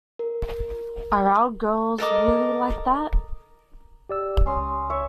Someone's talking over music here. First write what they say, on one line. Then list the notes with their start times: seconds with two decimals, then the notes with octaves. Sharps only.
Are our girls really like that?
0.19 A#4
1.98 A4 A#4 D#5 D6
4.09 G4 D5 E6
4.46 C#2 C#4 C6 D#6
4.90 C#5 E5